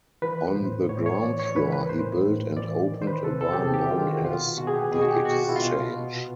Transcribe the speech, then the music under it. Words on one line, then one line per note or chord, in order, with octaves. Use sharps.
On the ground floor he built and opened a bar known as The Exchange.
E3 B4
A2 C5
A2 C#5
C#5
E3 D5
C#5
E3 B4
A#4
B4
A2 C5
A2
E3 D5
D#3
C5
B4
C3 A4
A4
G4
C3 G#4
G4
D#3 F4
F#4
B2 F4
B2 F#4
G#4
G4
B2 G#4
F#4
G4
B2 F#4
F4
E4
B2 F4
B2